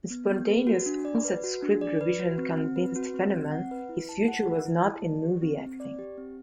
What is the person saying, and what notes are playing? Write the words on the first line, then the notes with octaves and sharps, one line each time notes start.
A spontaneous on-set script revision convinced Fenneman his future was not in movie acting.
B3
B3
B4
F#4
D4
D5
B4
F#4
D4
D5
B4
F#4
C4
C4
B4
F#4
C4
C4
F#5
B4
E4
A5
F#5
B4
E4
A5
D5
G4
C4
C4
D5
G4
C4